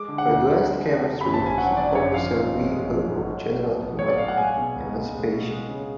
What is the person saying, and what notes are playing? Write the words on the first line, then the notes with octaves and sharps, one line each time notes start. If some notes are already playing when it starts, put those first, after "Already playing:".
For Advanced Chemistry, hip hop is a "vehicle of general human emancipation,".
Already playing: G#3 D6
D3
F#5
D2
D2
G#3
D3
D3
F#2 B5
A5
G#1
G#5
F#3 F#5
D3 D5
F#2 C#5
F3 F5
G#2
A1
G#3
F3
G#2
F#3
A2
B1
B3
F#3 C#5
D5
A2 F5
F#5
G#3 G#5
B2
C#2
C#2
G#3
B2
G#3
C#3